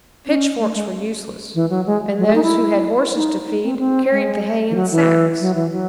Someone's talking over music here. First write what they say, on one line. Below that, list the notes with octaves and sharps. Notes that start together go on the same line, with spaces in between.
Pitchforks were useless, and those who had horses to feed carried the hay in sacks.
C#4
A3
G#3
E3
F#3
G#3
F#3
G#3
D#4
E4
D#4
D#4
C4
C4
G#3
E3
F#3
E3
F#3
E3
F#3